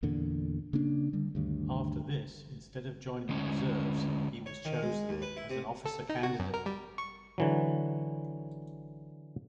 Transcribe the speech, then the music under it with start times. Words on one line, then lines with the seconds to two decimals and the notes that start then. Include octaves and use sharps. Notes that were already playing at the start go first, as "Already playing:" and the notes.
After this, instead of joining the reserves, he was chosen as an officer candidate.
0.03 E2 A#2 D3
0.73 C#3 A#3 C#4 D4
1.13 D3 G3
1.35 D2 G2 D#3
3.29 D3 G#3 C#4
4.46 C#5
4.65 D#3
4.82 G#3
5.09 D#2
5.22 B4
5.37 E4
5.50 C3
5.86 A4
6.09 D#4
6.23 F#4
6.39 F#2
6.54 A#4
6.66 G3
6.98 C#6
7.38 D3 E3 F#3